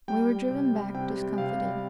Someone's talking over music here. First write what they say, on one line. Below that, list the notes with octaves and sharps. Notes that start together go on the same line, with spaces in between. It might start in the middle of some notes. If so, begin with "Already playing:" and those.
We were driven back discomforted.
G3 G5
G3
C3
G3
C3 G5
G3
C3 F5
G3